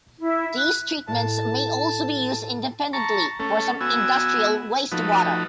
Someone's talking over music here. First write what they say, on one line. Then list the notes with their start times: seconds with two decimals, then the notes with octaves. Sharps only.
These treatments may also be used independently for some industrial wastewater.
0.19 E4
0.56 F#6
1.07 A2 A5
2.93 A5 A#5 C#6
3.40 A3 C#4 A4
3.81 B3 F#4 G#5 E6
4.92 F3 A3 D#4 F#4 B4